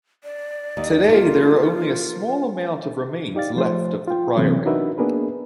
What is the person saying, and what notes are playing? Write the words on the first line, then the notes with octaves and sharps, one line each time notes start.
Today, there are only a small amount of remains left of the priory.
D5
D#2
A#3 F4
D#4 G4 D5 F5 A6
F3 A3 C5
F4 G5
C3 E3 F#3 A#3 C4 C#4
D4 D#4 F#4 A#4 B4 E5
A#3 B3 D4 G#4 A#4 B4